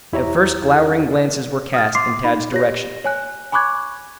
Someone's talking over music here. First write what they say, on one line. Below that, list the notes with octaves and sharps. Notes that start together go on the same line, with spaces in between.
At first glowering glances were cast in Tad's direction.
E2 E4 G4 C#5 E5 A#5
D#6 F6 A6
C6 D6 C7
D#4 B5
G4 C#5 A#6
C#5 G#5 F#6
G#5 B5 C#6 D6 F#6 G#6